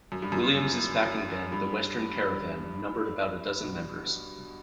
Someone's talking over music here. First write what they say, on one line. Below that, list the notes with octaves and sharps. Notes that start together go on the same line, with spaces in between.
Williams' backing band The Western Caravan numbered about a dozen members.
F#2
G2
F#2
G2
G2
B2